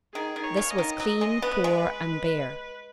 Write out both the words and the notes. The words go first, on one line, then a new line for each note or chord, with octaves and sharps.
This was clean, poor, and bare.
D#3 G#4
D#3
C#5
C#3
D#5
D#3
F#3 D#5
G#3
B3 B4
G#3